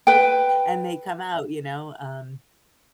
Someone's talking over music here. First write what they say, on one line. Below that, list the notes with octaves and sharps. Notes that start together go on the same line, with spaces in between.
and they come out, you know, um,
B4 G5